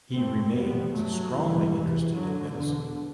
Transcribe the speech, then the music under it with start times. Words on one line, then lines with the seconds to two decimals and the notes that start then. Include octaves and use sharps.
He remains strongly interested in medicine.
0.14 F#2 A3 C4
0.54 E2 C3 G3 B3
0.93 G2 F#3 A3
1.32 E2 B2 E3 G3
1.71 E2 C3 E3
2.11 F#2 D3 F#3
2.50 E2 B2 D3